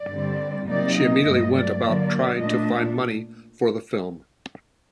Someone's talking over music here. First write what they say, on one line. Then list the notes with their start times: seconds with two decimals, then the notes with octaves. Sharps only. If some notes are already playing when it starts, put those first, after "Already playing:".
She immediately went about trying to find money for the film.
Already playing: D5
0.10 G2 D3 G3 C4
0.67 C3 F#3 A#3 D#4 D5
0.96 D#5
1.25 G2 F#3 A3
1.54 D5
1.82 D3 F#3 A#3
2.40 A#2 A3 D4 D#5